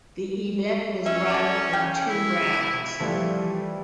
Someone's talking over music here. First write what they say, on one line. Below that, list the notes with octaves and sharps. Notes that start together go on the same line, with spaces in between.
The event was run in two rounds.
C#4 E5
A4 D5
C#3 G5
E4
E3 F3 G3 A3